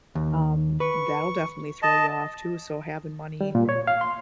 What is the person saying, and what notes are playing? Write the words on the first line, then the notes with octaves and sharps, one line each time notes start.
um, that'll definitely throw you off too, so having money
D#2
B4 C#6
D#5 A5
G3
A#2
C#5
F5
C6